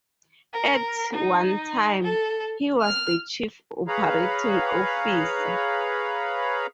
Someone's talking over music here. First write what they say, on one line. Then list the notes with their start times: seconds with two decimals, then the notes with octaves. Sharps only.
At one time, he was the chief operating officer.
0.54 A#4
1.12 D#4
2.02 A4
2.82 F6
3.88 G#4 B4 C#5 F5 A#5 B5